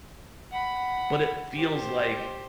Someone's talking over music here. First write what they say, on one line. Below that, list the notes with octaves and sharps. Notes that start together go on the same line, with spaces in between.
but it feels like
F#5 B5
G4 C5